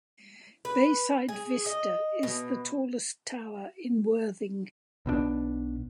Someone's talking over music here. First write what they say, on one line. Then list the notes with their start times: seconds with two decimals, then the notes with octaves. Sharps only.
Bayside Vista is the tallest tower in Worthing.
0.65 B4
1.29 G#4
1.66 D#5
2.23 B2
5.06 B1 B2 D#3 D4